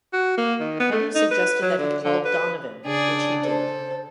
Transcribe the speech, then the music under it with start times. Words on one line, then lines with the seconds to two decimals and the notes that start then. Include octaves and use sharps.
Petty suggested that he call Donovan, which he did.
0.13 F#4
0.37 A#3
0.60 D#3
0.80 B3
0.92 A3
1.15 D#4
1.31 B4
1.62 F#3
1.78 D3
2.04 D3
2.25 B4
2.85 C#3 D4 G#4 D5
3.44 A4 C5